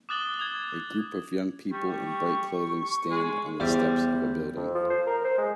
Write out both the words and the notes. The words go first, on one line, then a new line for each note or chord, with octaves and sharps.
A group of young people in bright clothing stand on the steps of a building.
D6 D#6 F#6 A6 F#7 G7
D#6 G#6
G3 C#6
G#3
E2 G3 C5 D6
F2
F3
C5
A#4
C5
G#3